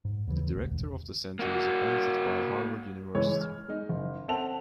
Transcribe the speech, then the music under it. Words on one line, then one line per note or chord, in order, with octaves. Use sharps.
The Director of the Center is appointed by Harvard University.
G#2
D#2 C#3 E3
E1 A1 D2
A#3 F#4
C#2 E3 G#3 C#5
F6
G#3 D#4
F#1
C4 A4 E5 F#5 A5 F7